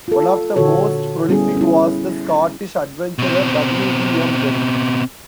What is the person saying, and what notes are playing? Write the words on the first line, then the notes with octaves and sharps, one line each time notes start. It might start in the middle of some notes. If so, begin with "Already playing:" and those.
One of the most prolific was the Scottish adventurer W. D. M. Bell.
F4 A4
A#2 D3 F#4 A4 C#5
G3 B3 C#4 E4 G#4
C#4 E4
B2 C4